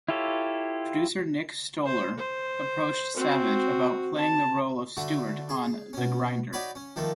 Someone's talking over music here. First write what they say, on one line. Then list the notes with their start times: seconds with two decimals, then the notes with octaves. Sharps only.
Producer Nick Stoller approached Savage about playing the role of Stewart on "The Grinder".
0.08 E4 F4 G4 A4 C#5
1.85 C5
2.18 C5
3.16 C4 F#4
4.16 A5
4.97 D3 A3 F#4
5.49 G#4
5.93 B2 C#4
6.53 D#4 F#4 C#5 D5 B5
6.75 C#4
6.96 D#3 F3 A3 A#3